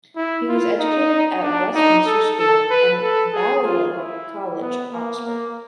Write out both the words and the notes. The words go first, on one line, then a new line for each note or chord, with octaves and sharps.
He was educated at Westminster School and Balliol College, Oxford.
E4
F4
D#4
D4
D#4
A4
A4
B4
A4
G#4
F4
E4
B3
A#3
A#3